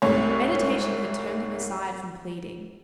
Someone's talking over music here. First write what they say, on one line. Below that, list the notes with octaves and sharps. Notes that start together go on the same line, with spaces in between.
Meditation had turned him aside from pleading.
C2 G#2 A3 C#5